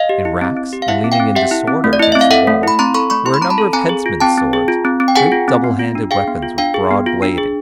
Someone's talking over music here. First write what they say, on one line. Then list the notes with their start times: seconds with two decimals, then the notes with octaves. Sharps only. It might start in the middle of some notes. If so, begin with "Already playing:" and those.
In racks, and leaning in disorder against the walls, were a number of headsmen's swords, great double-handed weapons with broad blade and keen edge.
Already playing: D#5 F5
0.09 G4
0.25 E4
0.41 C4
0.57 C4
0.73 G4
0.82 F5
0.88 E4 E5 F#5
1.04 C4
1.12 F5 G5
1.20 C4
1.36 G4 E5 F#5
1.51 E4
1.67 C4
1.84 A3
1.93 D5
1.99 E4 D#5
2.12 C4 E5
2.21 F5
2.31 A4 E5 F#5
2.47 A3
2.63 E4 B5
2.79 C4 A#5 C6
2.94 A4 B5 C#6
3.10 A3 B5 C#6
3.25 E4 C6
3.34 B5
3.42 C4 A#5
3.50 A5 B5
3.58 A4
3.73 C4 G#5 A#5
3.89 G#4
4.06 F4
4.20 C4 G5 A5
4.38 C4
4.53 G#4
4.68 F4
4.85 C4
5.00 C4
5.08 G5
5.16 G#4 F#5 G#5
5.32 F4
5.48 C4
5.64 B3
5.79 F4
5.95 D4
6.11 G#4 F5 G5
6.28 B3
6.42 F4
6.58 D4 F5 G5
6.74 G#4
6.91 B3
7.06 F4
7.22 D4
7.38 G#4